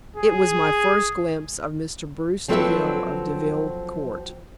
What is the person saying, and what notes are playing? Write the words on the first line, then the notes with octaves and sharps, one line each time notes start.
It was my first glimpse of Mr. Bruce Deville of Deville Court.
G#4
F3 F#3 C4 A4 B4 E5